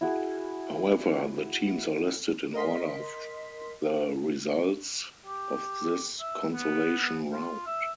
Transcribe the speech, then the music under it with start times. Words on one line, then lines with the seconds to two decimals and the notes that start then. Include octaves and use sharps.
However the teams are listed in order of the results of this consolation round.
0.01 E4 F#4 G#4
2.54 A#4 D#5 C6 B6
5.26 G4
6.20 E5
6.53 B3
7.33 F4
7.66 E5